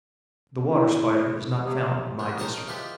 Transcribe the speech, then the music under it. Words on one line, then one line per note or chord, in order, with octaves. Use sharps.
The Water Spider is not found in my district.
E4
C3
D#3 D4
D#4 A#4 C#5 A5 A#5 C6
F3 G#3 E4 G4 B4